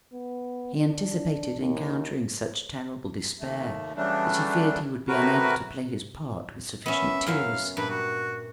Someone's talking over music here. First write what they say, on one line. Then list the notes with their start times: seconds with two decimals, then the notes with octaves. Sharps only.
He anticipated encountering such terrible despair that he feared he would be unable to play his part with sufficient tears.
0.13 B3
0.75 D4
1.60 D#2
3.40 D#2 A3
3.96 C#3 E3 F#3 G3 A3 D4
5.08 C3 F#3 A3 F#4 A#4 B4
6.86 B3 C#4 E5
7.27 F#2 F#3 E5 F5
7.77 G2 A#2 B4
7.90 F#4